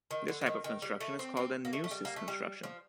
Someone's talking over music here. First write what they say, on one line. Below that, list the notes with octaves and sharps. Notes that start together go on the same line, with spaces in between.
This type of construction is called a neusis construction.
D#3
D3
D3
D#3
D#3
G3
A3
C4
C4
A#3
A3
A3
G3
A#3
A3
G3
F3